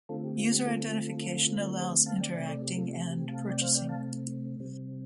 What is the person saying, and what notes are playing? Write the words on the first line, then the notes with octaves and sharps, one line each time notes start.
User identification allows interacting and purchasing.
D3 A3 C4 F4 A4
G4
F4
G4
F4 A4
G4 C5
F5 A5
D5 G5
C3 A3 C4 D5 G5
A4 D5
G4
F4 A4
G4
G4
F5 A5
D5 G5
C5 F5
D5 G5
F5 A5
C3 G3 C4